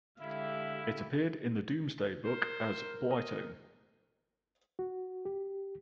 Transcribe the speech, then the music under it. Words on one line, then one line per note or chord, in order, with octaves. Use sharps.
It appeared in the "Domesday Book" as "Blitone".
D3 G#3 E4 G4 E5 F5
A#4 C5
D#5
F#4
G4